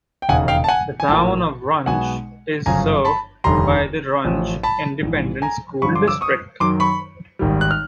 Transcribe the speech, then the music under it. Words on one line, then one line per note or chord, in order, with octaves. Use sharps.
The Town of Runge is served by the Runge Independent School District.
G5
E1 D#2 C#3 F#5 G#5
F5 G5
A5
F#5 G#5
G#5
A#1 A2 F3 A#3 G5 A5
B1 B2 G#3 B3 F#5 G#5
G1 F#2 C#3 F3 G#5 A#5
A5 B5
F1 D#2 D3 G3 A#5 C6
A1 A2 F3
A5 B5
A#1 G#2 E3
G#5 A#5
G2 D3 F3 B5 C#6
C6 D6
D6 E6
C#6 D#6
F#2 D#3 F#3 C6 D6
B5 C#6
G#1 G#2 D#3 G3
F#6
F6